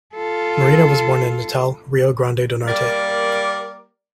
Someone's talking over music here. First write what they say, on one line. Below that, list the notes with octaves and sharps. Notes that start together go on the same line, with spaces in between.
Marinho was born in Natal, Rio Grande do Norte.
F4 A4
G3 A#3 A#4 D5